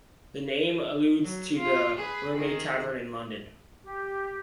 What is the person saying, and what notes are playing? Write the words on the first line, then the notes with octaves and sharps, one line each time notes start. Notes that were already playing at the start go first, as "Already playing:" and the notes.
The name alludes to the Mermaid Tavern in London.
F#3
F4
G#4 B4
D#3 G#4
G4